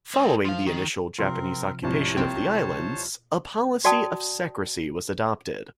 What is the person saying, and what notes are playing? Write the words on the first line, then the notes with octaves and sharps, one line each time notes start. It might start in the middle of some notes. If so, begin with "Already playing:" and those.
Following the initial Japanese occupation of the islands, a policy of secrecy was adopted.
G#3 C4
F3 F5
D#3
C3 F3 C4 A#4 C6
C2 G#2 F3 C4 C5 C#5 A5
A#1 C3 C4 G5
F#4 D5 G5 A5 D#6